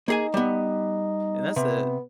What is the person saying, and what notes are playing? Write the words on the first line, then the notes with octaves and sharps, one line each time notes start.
and that's a
A#3 D#4 G#4 G#5
G3 B3
C3 B3